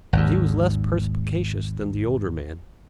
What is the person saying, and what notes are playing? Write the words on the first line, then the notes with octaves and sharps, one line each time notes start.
But he was less perspicacious than the older man.
G#1 D#2